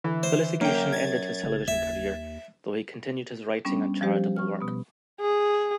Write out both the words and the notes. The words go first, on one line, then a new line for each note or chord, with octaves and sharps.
The litigation ended his television career, though he continued his writing and charitable work.
D3 E3
C5
F#2 A#3 G5
G#6 A6
F#1 C#3
D#2 E5
G3 B3 C#4 D4
F3 G3 G4 C5
C#6 F6
B2 B3
G#4